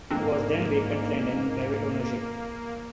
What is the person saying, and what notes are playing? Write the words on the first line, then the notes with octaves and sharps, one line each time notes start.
It was then vacant and in private ownership.
G#2 A#3 C4 D4